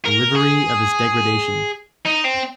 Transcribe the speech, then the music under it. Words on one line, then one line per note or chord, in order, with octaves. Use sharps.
The livery of his degradation!
A#4
G#4
D#4
C4